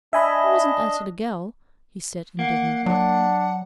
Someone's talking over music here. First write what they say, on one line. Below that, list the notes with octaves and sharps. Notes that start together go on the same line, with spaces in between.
"I wasn't atter the gal," he said indignantly.
D4 D#5 E5 G#5 B5
A#3 F#5
F#3 D4 F#5